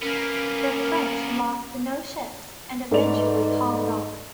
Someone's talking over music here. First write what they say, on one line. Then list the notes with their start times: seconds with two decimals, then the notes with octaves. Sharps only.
The French lost no ships and eventually hauled off.
0.02 A#3 B3 C#4 A#4
2.91 G#2 A3 B4 D5 F7